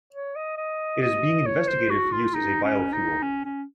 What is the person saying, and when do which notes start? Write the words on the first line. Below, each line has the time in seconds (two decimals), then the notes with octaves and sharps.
It is being investigated for use as a biofuel.
0.13 C#5
0.36 D#5
0.57 D#5
1.02 D#5
1.46 C#5
1.68 C5
1.90 F#4
2.12 F4
2.34 D#4
2.64 C#4
2.93 D#4
3.22 C#4
3.45 C#4